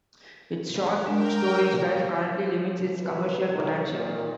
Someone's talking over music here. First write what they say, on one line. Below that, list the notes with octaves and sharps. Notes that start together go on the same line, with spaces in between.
Its short storage life currently limits its commercial potential.
G#3 D4 A#4 G5
C2 F#2 B4
B1 D#3 F#3
A#2 D#3